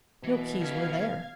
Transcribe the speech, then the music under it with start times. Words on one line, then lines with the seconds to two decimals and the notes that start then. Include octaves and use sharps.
No keys were there.
0.24 B2 E3
0.61 D#3 E5 F5 G#6